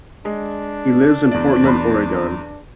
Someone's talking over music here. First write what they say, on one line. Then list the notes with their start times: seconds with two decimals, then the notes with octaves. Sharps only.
He lives in Portland, Oregon.
0.25 G#3 D4
1.31 E2 D5
1.63 E2 B5 C6